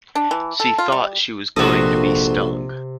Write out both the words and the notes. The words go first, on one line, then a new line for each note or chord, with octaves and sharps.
She thought she was going to be stung.
D4
E3
A4
F4
G3
A#1 C3 F3 F#4 A4 D#5